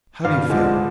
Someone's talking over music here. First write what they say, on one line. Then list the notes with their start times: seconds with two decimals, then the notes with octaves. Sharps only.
"How do you feel?"
0.24 G2 F5
0.50 D3 F3 G#3